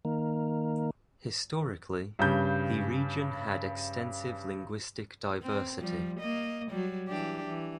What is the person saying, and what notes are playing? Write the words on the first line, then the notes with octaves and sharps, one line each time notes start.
Historically, the region had extensive linguistic diversity.
D#3 A#3
G2 C#3 G6
C4
F3 G3
A#3 D#5
F#3 G3
E3 D4 G4
E3